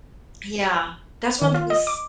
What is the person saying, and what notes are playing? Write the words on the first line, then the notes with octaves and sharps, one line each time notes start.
Yeah, that's one of these
D#3
F4
D#5
D6